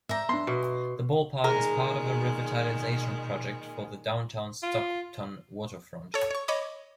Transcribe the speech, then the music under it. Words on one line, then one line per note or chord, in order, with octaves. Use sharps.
The ballpark is a part of a revitalization project for the Downtown Stockton waterfront.
G#2 D5 E5 A#5 G6
B3 D4 C6
B2
A#2 D#3 G#3 G#4 A#4
B2
F4
A4 C#5
C#5 C#6
C#5 D#5 B5 D6